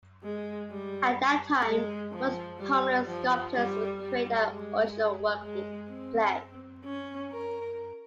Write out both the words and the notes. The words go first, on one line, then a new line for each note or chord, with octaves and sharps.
At that time most prominent sculptors would create their original work in clay.
G#3
G3
G#3
F3
G3
F3
G3
G3
G#3
G#3
C4
C#4
A#4